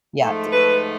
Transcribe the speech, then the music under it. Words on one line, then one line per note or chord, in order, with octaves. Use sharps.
Yeah, t
G#2 F3 A3
B4